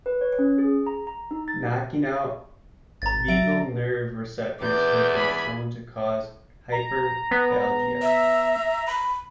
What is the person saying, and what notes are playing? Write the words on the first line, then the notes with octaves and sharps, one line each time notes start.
Knocking out vagal nerve receptors has been shown to cause hyperphagia.
B4
C#5
C#4
G#4
A#5
A#5
D#4
A6
G#1 A#5 A6
F#3 F#4 E5 A#6 D7
E2 B4 D5 G6
G#5 B5
A#5
B3
E5
B5